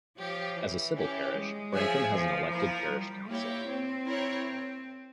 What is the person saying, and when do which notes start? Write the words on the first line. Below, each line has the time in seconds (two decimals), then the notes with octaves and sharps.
As a civil parish, Brampton has an elected parish council.
0.18 F3 G4 C#5 G5
0.56 E3
0.96 C#4 E4 G4
1.34 G#3
1.73 F3 G#4 C#5 E5 G#5
2.12 F3
2.51 F3 A#3 E4 A#4
2.89 G3
3.28 A#3 E4 G4 C#5 G5
3.67 C4
4.07 E4 A#4 C#5